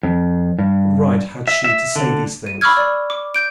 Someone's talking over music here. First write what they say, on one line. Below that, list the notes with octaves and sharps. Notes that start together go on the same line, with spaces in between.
What right had she to say these things?
F2
G2
E5
E5
D3
D#7
B5 C#6 D6 E6 F6 G#6
D5
D6
G6 D7